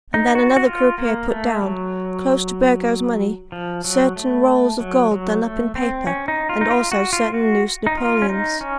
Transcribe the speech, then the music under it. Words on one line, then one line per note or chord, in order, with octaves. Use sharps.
And then another croupier put down, close to Burgo's money, certain rolls of gold done up in paper, and also certain loose napoleons.
D#4
F#4
F#4
F4
A#3
A3
F#3
F3
F#3
A3
F#3
F#3
A3
C4
C#4
D#4
F4
D#4
F4
F#4
F4
F#4
D#4
F4
C#4
D#4
C#4